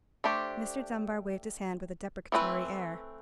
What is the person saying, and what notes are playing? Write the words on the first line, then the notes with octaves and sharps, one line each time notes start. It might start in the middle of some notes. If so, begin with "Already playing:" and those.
Mr. Dunbar waved his hand with a deprecatory air.
A3 D4 G4 C5
E3 A3 C4 E4 B4